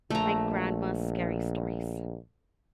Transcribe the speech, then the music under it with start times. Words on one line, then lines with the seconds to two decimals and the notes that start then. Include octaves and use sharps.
my grandma's scary stories,
0.10 A#1 A3 A#5